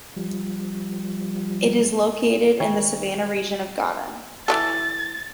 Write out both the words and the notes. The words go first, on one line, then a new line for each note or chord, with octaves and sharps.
It is located in the Savannah region of Ghana.
F3 G3
D#3
E3 G3 A4 A6